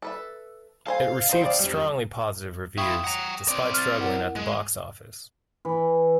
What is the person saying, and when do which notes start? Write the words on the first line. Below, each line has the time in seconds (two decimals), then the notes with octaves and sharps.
It received strongly positive reviews despite struggling at the box office.
0.02 A4 B4 E5
0.87 A4 C5 F5 G#5
1.29 D#4 E4 C5
1.41 C4 D#4 D5
1.60 F2 G3
2.78 E4 F4 G5 C#6 D#6
3.04 F#5 A#5
3.48 C4 D5
3.74 F6 A6
3.98 E4 A#4 F#5
4.36 G#3
5.65 E3